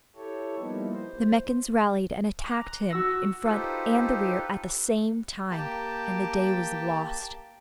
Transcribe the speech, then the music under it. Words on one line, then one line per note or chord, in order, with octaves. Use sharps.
The Meccans rallied and attacked him in front and the rear at the same time, and the day was lost.
E4 G4 A4 C#5
F3 G3 A#3 B3 D#4 E4
C5
A#5 D6 F#6
F#4 E6 A#6
D#4 F4 G4 A4 B4 C5
A#3 G4 G5 A5